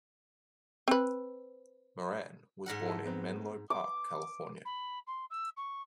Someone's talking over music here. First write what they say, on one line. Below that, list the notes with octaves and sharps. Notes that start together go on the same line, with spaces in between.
Maran was born in Menlo Park, California.
C4 B4
G#2 A#4 F#5
E4 A4 E5
B3 C4
D6
B5
C6
E6
C#6